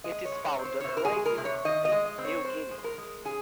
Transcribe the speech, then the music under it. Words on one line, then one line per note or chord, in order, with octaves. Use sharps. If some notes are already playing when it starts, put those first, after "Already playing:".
It is found on Waigeo in New Guinea.
G#3 D#5
C#5
G#3
C#5
C4
C5
C#5
C3 C5
A#4
G#4
G#3
A#4
C3
C#5
D#3 D#5
D#5
G#3
D#5
C4
C#5
G#3 C5
G#3
C5
A#4
G#3
C#4 G#4